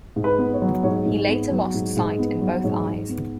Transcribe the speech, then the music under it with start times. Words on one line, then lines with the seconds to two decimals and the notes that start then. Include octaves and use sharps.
He later lost sight in both eyes.
0.16 G#2
0.24 B4
0.39 B3
0.53 C#5
0.62 F#3
0.83 G#2 C#5
1.06 G#2
1.29 B3
1.51 F#3
1.74 G#2
1.97 G#2
2.19 B3
2.41 F#3
2.64 G#2 C#5
2.86 G#2
3.09 B3